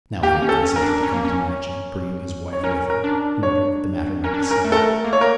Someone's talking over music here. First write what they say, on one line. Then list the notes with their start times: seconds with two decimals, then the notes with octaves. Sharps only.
Now he had consented to come to Matching, bringing his wife with him, in order that the matter might be settled.
0.23 A#3 G4
0.42 C#4
0.49 A4
0.63 C#4
0.76 A#4
0.82 D4
1.03 C#4
1.14 A#3
1.25 C#4
2.53 C#5
2.64 C#4 A#4
2.90 A#4
3.04 D4
3.43 C#5
4.24 C#4 A#4
4.34 D4
4.43 C#4
4.51 A#4
4.64 A3
4.72 A4
4.77 A#4
5.04 A#3
5.13 C#5
5.21 A#4